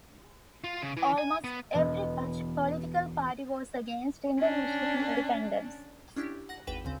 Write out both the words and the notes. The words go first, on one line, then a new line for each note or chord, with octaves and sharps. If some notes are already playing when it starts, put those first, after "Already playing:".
Almost every Dutch political party was against Indonesian independence.
F4
C#3
E3
G#5
B3
E1 B3 D#5
C#4 D4
C#4 D4 E4 G4
F#5 A#6
G#1 E2 B4 G5 E7
D2 C#3 C4